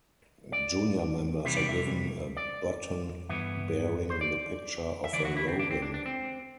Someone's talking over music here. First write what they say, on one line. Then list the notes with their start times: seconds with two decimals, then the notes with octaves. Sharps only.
Junior members are given a button bearing the picture of a robin.
0.52 D5
1.44 C2 C3 E3 G3 E5
1.57 D5
1.69 E5
2.37 D5
3.29 G2 E3 B3 E5
4.10 C5
4.21 D5
5.04 E5
5.13 D2 C3 E3 D5
5.25 F#4
5.37 E4
5.48 C4
5.59 D4
5.71 C4
5.82 D4
5.94 D4
6.06 C4